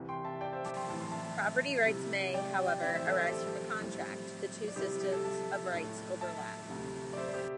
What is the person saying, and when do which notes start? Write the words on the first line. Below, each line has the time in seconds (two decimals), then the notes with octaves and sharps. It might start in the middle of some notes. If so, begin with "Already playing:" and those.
Property rights may, however, arise from a contract; the two systems of rights overlap.
Already playing: C2 C3 E3
0.09 G5 C6
0.25 E5 A5
0.41 D5 G5
0.53 C5 E5
0.65 A5 D6
0.77 G5 C6
0.89 A2 E3 C4 E4 A5
1.00 C6
1.11 E5 A5
1.86 C3 G3 E4
2.34 D5 G5
2.66 D5 G5
2.83 A2 E3 C4 E4 D5 G5
2.94 C5 E5
3.07 A4 D5
3.19 G4 C5
3.31 A4
3.79 A2 G3 C4 E4
4.68 D5
4.76 C3 G3 E4 G4 C5
5.00 G4
5.12 A4
5.24 E5 A5
5.72 A2 A3 D4
6.21 E5 A5
6.69 D2 C3 A3
7.13 D5
7.17 C5 E5
7.28 D5
7.34 G4 C5